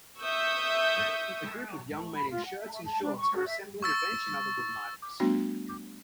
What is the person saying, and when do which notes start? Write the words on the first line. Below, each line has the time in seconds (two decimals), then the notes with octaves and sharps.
A group of young men in shirts and shorts are assembling a bench and other wooden items.
0.22 E5 C#6 D#6 E6 G6
2.14 B5
2.31 F4
2.45 F#5
2.59 E5
2.73 E5
2.85 A5
3.02 D4
3.17 C#6
3.35 F#4
3.47 E5
3.83 C#6 E6 A6
5.20 G3 A3 B3 D4 F#4